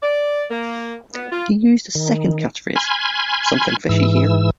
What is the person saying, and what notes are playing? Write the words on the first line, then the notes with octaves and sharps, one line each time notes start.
He used a second catchphrase, Something fishy here!
D5
A#3
B3
F4
D#3
G#5 B5 C6 F6 G#6
G#2 E3 E6